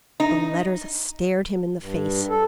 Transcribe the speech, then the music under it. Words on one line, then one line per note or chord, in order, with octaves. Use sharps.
The letters stared him in the face.
D#4
G2
A4